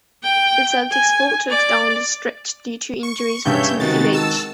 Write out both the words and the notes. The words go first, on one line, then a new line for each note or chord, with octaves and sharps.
The Celtics faltered down the stretch due to injuries, fatigue and age.
G5
G#5
D5
C#6
G2 C#3 C#5 E5 G6
C3 D#3 G#3 F#4 A6
A5 E6